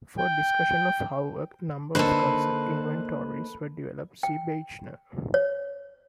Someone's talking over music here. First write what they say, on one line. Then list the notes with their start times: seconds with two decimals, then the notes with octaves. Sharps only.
For a discussion of how a number of concept inventories were developed see Beichner.
0.18 G5
1.95 D3 A#3 D#4 A4 B4 C5
4.23 G5
5.34 C#5